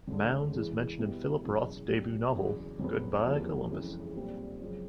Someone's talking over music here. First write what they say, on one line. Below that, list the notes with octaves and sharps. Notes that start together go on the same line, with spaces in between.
Mounds is mentioned in Philip Roth's debut novel, "Goodbye, Columbus".
E1 D2 D3
E1 E2 C#3 E3
B2 G3 B3 E4
F#1 E2 B2 F#3
B1 B2 G3
F#1 E2 C#3 F#3
F1 F2 C#3 F#3 B3
E1 E2 C3 F3 A#3
F#1 F2 C#3 E3 G#3
B1 A#2 G3 C4
F#2 C#3 F3 G#3 C4